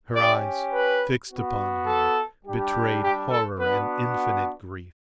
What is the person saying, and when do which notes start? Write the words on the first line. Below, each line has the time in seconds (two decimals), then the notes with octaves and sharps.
Her eyes, fixed upon him, betrayed horror and infinite grief.
0.13 C#4 G4 D5
0.71 B4
1.28 F#4
1.34 B3
1.87 A4
2.45 G3 D4 G4
3.02 G4
3.31 A4
3.59 B3 D4 F#4 B4